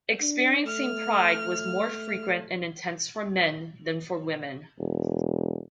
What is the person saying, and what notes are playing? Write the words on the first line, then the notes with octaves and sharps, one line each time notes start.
Experiencing pride was more frequent and intense for men than for women.
D4
A3 F6
E1